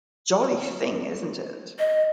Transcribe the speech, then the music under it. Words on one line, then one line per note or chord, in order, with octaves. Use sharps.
Jolly thing, isn't it?
D#5